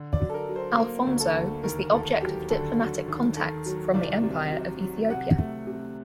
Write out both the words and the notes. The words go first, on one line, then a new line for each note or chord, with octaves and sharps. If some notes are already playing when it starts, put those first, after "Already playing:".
Alfonso was the object of diplomatic contacts from the empire of Ethiopia.
Already playing: D3
D5
F#3
A4
A#4
F#3
C5
A#3
D2
A4
D2
D#2 A#4
D#2 A4
F#3 G4
D3 A4
F#3
D#2
D#3 A4
F#3
C2 D5
C3
F#3
F#3
C3 F#5
A3
C3